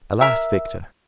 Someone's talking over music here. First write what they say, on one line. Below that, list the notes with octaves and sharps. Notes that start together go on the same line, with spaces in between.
Alas, Victor!
A#4 E5